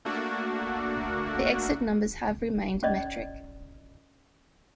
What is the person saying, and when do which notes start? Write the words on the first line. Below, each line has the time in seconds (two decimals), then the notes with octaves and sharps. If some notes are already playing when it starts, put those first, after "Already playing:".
The exit numbers have remained metric.
0.05 A3 A#3 D4 F#4
2.83 C#4 D5 D#5